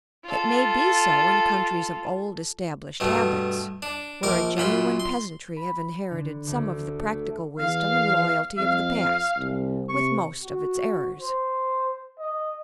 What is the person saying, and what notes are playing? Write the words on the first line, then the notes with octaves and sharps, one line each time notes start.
It may be so in countries of old-established habits, where a genuine peasantry have inherited some of the practical wisdom and loyalty of the past, with most of its errors.
F4 A4
G2 B2 A3
D4
A#1 A#4 D6
F#2 A#2 B5 C6
C6
B5
D3
D2
A3
E2 F5
F2 F5
C2
C3 C#6
F#4
C5
D#5